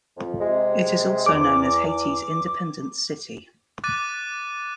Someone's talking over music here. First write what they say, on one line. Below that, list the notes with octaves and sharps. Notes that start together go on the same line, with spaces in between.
It is also known as Haiti's "independence city".
F2
C3 G#3
E2 D6
D6 F#6 A6 D#7